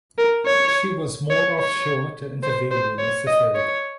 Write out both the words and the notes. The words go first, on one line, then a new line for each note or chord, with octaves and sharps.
She was moored offshore to intervene when necessary.
A#4
C#5
C#5
C#5
C5
C5
C#5
D#5
C#5